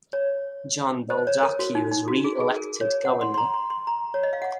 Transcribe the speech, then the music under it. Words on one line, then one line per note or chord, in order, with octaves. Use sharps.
John Baldacci was reelected governor.
C#5
C5
C#5
A#4
F#4
D#4
D#4
F#4
G#4
G#4
A#4
C#5
F#5
C6
C6
A#5
C6
C6
A#5
C#5
D#5
F5
F#5